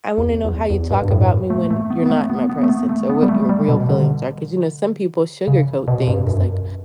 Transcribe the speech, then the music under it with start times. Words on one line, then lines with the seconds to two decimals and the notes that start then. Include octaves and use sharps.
I wanna know how you talk about me when you're not in my presence, or what your real feelings are, 'cause, you know, some people sugarcoat things, like,
0.18 E2
0.45 E2
0.70 E2
0.91 G2
1.02 G2
1.11 A2
1.50 A3
1.71 A3
1.90 B3
2.06 B3
2.10 A3
2.30 B3
2.50 B3
2.63 A3
2.69 B3
2.89 A3
3.10 B3
3.23 G3
3.29 A3
3.49 G3
3.68 B2
3.89 D3
5.47 C#3
5.88 B2
6.08 G2
6.27 F#2